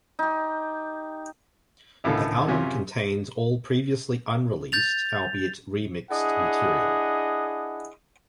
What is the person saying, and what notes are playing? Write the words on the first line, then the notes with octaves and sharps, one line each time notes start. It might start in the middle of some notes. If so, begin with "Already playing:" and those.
The album contains all previously unreleased, albeit remixed material.
D#4 G4
C#2 A2 D3 D#3 A4 F5
F#2 C3 C#4 F4
G6 A6 F7
D4 E4 G#4 D#5 F#5